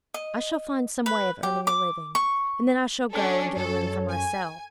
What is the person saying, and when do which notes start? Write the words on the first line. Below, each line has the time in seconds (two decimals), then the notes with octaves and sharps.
I shall find some way of earning a living, and then I shall go and get a room for myself.'
0.14 D#5
1.06 B4
1.43 G4
1.67 D6
2.15 C#6
3.12 C#4 D4 A4
3.56 F#2 A4 C#5
4.10 G#5